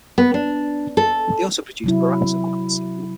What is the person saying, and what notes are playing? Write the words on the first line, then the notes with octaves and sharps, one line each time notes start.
They also produced Boraxo hand soap.
B3
D4
A4
C3 F#3 E4